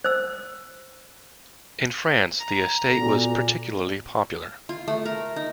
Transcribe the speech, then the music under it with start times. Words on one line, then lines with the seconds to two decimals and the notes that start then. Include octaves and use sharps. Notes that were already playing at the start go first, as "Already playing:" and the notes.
In France, the Estate was particularly popular.
0.04 C5 E6
2.40 A#5
2.90 A#2 B3 F#4 A4
4.69 F4
4.88 A3
5.05 A#4
5.36 D#4